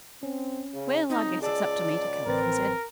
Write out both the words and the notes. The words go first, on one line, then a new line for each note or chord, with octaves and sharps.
"Well, I guess it's up to me to come," he said.
C4 C#4
C#3
C#2 C4 D#4
G#4 D5 A5 E6
A1 C4 A#4 B4 A6